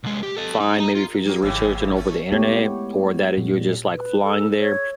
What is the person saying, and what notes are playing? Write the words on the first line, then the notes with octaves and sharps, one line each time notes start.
find maybe if you're just researching over the internet or that i you're just, like, flying there.
C2 G#3
G4
A4 D#5
D#4
D#5 A#5
F4
F#3 A#3 C#4 G4
G#1 G#2 C#3 E3 C#5 F5
A3 C#4
G#3 A3 B3 E4 G4 C#5
A#2 G3
B4
A4
C#5